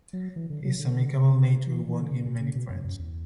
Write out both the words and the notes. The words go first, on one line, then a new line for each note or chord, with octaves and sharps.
His amicable nature won him many friends.
F#3
E3
D3
F#3
D3
C#3
E3
E3
D3
C#3
B2
C#3
B2
F#2
F#2
E2